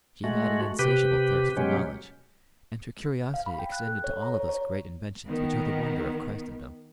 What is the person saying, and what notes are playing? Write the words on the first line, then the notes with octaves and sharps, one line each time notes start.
She had an insatiable thirst for knowledge, and her curiosity extended to all of those great inventions which are the wonder of Christendom.
G#3 A3 F#4
C3 G4 B4
B2 F#3 G#3 C#4 G4
F5
B5
G5
F#6
A4
C#5
A#5
C#5
C#5
D#3 B3